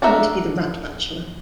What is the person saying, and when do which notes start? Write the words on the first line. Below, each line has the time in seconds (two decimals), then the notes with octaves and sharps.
I want to be the rat bachelor.
0.02 D4 F#4 A#4 E5